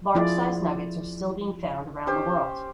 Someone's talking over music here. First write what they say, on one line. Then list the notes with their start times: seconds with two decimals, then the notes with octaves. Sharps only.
Large size nuggets are still being found around the world.
0.15 F3 E4 F4 G#4 D5
2.06 C#4 G4 C5